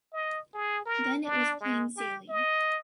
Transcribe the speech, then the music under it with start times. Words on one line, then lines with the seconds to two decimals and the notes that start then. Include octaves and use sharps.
Then it was plain sailing.
0.13 D#5
0.54 G#4
0.86 A#4
1.24 D4
1.61 G#3
1.97 G4
2.29 D#5